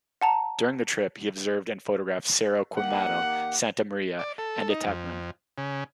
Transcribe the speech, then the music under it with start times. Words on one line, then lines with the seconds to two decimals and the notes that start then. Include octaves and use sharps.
During the trip he observed and photographed Cerro Quemado, Santa Maria, and Atitlan.
0.22 F#5 A5 A#5
2.76 D#3 A#3 G4 F#5
4.19 D5
4.38 A4
4.70 D#4
4.87 F2
5.58 C#3